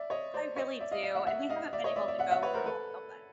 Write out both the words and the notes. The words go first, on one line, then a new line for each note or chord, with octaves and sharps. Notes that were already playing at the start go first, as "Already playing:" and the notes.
I really do, and we haven't been able to go for a while, but
Already playing: D5 E5
C#5 D#5
C5 D5
C#5 D#5
D5 E5
D#5 F5
D#5 F5
E5 F#5
E5 F#5
D#5 F5
D5 E5
C#5 D#5
D5 E5
D5 E5
E5 F#5
E5 F#5
B4 C#5
A#4 C5
A4 B4